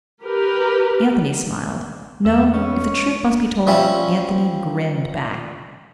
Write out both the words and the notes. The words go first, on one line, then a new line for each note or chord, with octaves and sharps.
Anthony smiled . . . no, if the truth must be told, Anthony GRINNED back.
G4 A#4 B4
E2 B3 E5
G#3 C#4 D4 D#5
F3 G3 C#4 E5